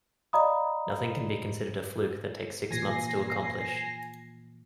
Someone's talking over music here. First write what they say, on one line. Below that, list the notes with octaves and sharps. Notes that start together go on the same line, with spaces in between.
Nothing can be considered a fluke that takes six months to accomplish.
D5 D#5 F5 A#5 B5 D#6
A#2 E3 G#5 A#6 C7